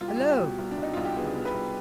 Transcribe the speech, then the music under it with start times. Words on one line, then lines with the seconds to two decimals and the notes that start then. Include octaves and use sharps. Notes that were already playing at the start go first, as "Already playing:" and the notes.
"Hello!" he prompted.
0.01 C2 F4
0.08 G4
0.16 F4
0.20 C2
0.30 G4
0.40 B2
0.59 C2
0.71 D4
0.77 C2
0.83 D#4
0.94 C2 F4
1.05 G4
1.16 B3 G#4
1.35 B3
1.45 B4
1.54 C2